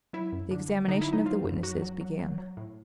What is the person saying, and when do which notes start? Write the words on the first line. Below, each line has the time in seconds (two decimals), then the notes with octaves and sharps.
The examination of the witnesses began.
0.13 F#3 E4
0.32 F#2
0.51 D3
0.69 F#3
0.88 D3 D#4
1.01 E4
1.08 F#3 D#4
1.26 F#3 F4
1.44 F#2
1.63 F#3 F#4
1.82 F#3
2.01 F#3
2.19 F#3
2.38 F#3
2.57 A2